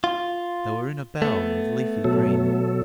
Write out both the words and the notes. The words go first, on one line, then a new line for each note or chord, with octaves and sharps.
They were in a bower of leafy green.
F4
A3 B3
B2 F#3 A4